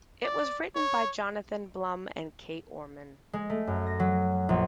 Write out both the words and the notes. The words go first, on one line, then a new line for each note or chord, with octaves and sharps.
It was written by Jonathan Blum and Kate Orman.
D5
C#5
G#3
A3
F#2
A#6
F#3
A#1